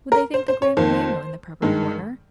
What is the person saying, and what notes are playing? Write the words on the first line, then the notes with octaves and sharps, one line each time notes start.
Would they think the grand piano in the proper corner?
A#4
C5
C5
C#5
F2 D#3 A#3 C5
G2 D#3 G#3